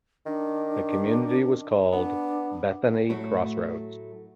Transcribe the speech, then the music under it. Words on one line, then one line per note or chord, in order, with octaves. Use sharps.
The community was called "Bethany Crossroads".
D#3 D4
B3 D4
A2 F#3 A3 E4 C#5